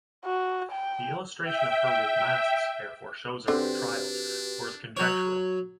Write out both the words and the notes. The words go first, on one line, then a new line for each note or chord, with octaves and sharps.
The illustration of her with masts therefore shows her on trials, or is conjectural.
F#4
G5
E5 G5
D3 C4 D4 F#4 G4 B4
F#3 C#5